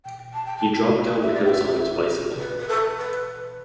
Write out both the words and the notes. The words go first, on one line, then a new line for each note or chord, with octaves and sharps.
He dropped down the hills on his bicycle.
G5
A5
G5
A5
E5
D5
G5
E5
B4
B4
A4
B4